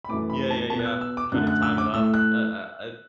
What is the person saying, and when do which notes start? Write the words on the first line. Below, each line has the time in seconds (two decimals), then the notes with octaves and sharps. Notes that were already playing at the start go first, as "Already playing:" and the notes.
Yeah, yeah, yeah. Try to time it up. Ah ah ah,
0.04 B5
0.08 F#2 E3 A3 D6
0.30 B5
0.50 A5
0.70 B2 A5
0.74 B3
0.79 F#6
0.86 E6
1.01 E6
1.17 D6
1.32 F#2 D3 A3 F#6
1.47 F#6
1.62 E6
1.78 D6
1.94 A2 A3 E6
2.14 F#6